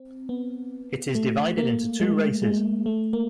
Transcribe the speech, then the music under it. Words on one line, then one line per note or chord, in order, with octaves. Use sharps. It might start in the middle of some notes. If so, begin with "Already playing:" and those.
It is divided into two races.
Already playing: C4
B3
A3
A#3
G#3
G#3
A3
A#3